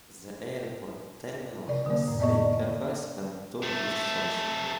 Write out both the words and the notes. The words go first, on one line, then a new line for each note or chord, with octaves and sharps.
The airport terminal has three cafes and two gift shops.
C3 D5
D3 A#3
F2 A2
A#3 B3 D5 D#5 C#6
C3 A3